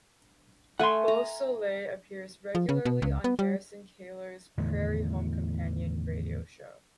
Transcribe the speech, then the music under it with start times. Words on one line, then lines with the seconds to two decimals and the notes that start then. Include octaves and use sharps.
BeauSoleil appears regularly on Garrison Keillor's "Prairie Home Companion" radio show.
0.79 A3 F#5 G#5 C6
1.08 A#5
2.55 F3
2.69 C#3
2.85 B2
3.02 C#2
3.24 B3
3.39 G3
4.58 E2 A2 D3 D#3